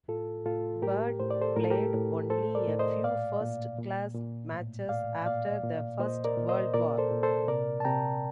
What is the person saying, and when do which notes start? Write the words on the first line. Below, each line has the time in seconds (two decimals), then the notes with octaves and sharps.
Bird played only a few first-class matches after the First World War.
0.08 A2 F4 A4
0.45 A2 F4 A4
0.82 A2 G4 A#4
1.20 A2 C5
1.31 D5
1.41 A4 C5
1.56 A2 A#4
1.64 A4
1.70 G4 A#4
1.94 A2
2.30 A2 A4 C5
2.55 A#4 D5
2.68 A2
2.79 C5 D#5
3.04 A#2 D5 F5
3.41 A#2
3.78 A#2
4.15 A#2
4.52 A2
4.89 A2 D5 F5
5.26 A#2 D5 F5
5.63 A#2
6.00 A#2 C5 D#5
6.25 A#4 D5
6.37 A#2
6.49 C5 D#5
6.74 A#2 A#4 D5
6.98 A4 C5
7.11 A#2
7.23 A4 C5
7.48 C3 A#4 D5
7.80 A5
7.85 C3 G5 A#5